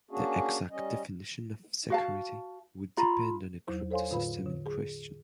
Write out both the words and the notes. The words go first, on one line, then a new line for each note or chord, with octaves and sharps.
The exact definition of security would depend on the cryptosystem in question.
A#3 C#4 D4 F#4 G#4
G3 C#4 D#5
F#4 F5 A5
F4 A#5 B5
E2 F#3 E4 C5
A4 C5 C#5 F5 G#5 C6
A2 D3 F4 B4 F5 B5
D3
G#4